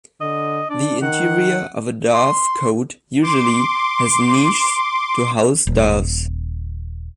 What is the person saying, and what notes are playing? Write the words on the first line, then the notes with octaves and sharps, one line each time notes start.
The interior of a dovecote usually has niches to house doves.
D3 D#5
D4 D5
D#3 F#5
C6
C6 D6
D#1